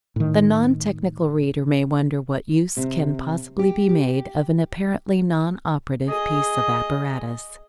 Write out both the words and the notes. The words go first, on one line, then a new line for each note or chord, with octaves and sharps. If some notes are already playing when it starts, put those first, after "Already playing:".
The non-technical reader may wonder what use can possibly be made of an apparently non-operative piece of apparatus.
A2 D#3
C3
G4
G4
G#4 D#5